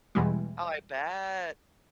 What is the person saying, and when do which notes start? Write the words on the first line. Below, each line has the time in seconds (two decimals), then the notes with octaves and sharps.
I bet!
0.15 E2 B2 E3 G3 G#3